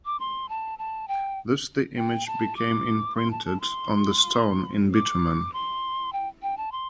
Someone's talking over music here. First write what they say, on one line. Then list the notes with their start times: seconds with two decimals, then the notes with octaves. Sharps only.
Thus the image became imprinted on the stone in bitumen.
0.05 D6
0.20 C6
0.49 A5
0.79 A5
1.08 G5
1.97 G5
2.26 A5
2.56 D6
3.16 C6
3.31 A5
3.45 A5
3.60 C6
4.94 D6
5.53 C6
6.13 G5
6.42 G5
6.57 A5
6.72 C6